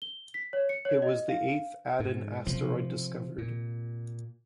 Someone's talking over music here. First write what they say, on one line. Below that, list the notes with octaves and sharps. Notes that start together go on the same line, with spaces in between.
It was the eighth Aten asteroid discovered.
G7
B6
C#5
C#7
C#5
D#5
F5
G#2
C3 F3
A#2